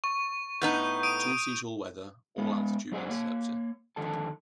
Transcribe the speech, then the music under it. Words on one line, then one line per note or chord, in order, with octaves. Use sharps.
Two-seat all weather, all altitude interceptor.
C#6
A2 B3 D#4 G6
D#6 D7 D#7
G#3 B3
F#3 D#4 G#4 C5 D5 F#5
A#3 C#5
F2 D3 D#3 A4 A5